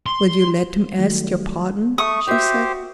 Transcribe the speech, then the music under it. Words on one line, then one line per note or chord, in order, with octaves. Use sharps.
"Will you let him ask your pardon?" she said.
C6
D#3 F#3 G3 A3
A3 C#6 D#6
F#4 G4 C5 E5